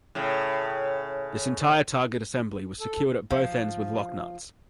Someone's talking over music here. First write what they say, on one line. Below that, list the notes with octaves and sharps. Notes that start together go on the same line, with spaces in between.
This entire target assembly was secured at both ends with locknuts.
A2 C#3
A4
F3